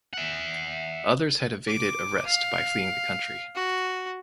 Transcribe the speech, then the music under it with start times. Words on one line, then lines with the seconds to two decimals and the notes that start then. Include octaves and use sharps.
Others had evaded arrest by fleeing the country.
0.13 E5 F#5
1.68 D6
2.27 F5
3.55 F#4